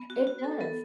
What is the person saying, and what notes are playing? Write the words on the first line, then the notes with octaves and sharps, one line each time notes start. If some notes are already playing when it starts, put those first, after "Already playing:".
It does.
Already playing: B3
F#4
F#4
A4
B3 A4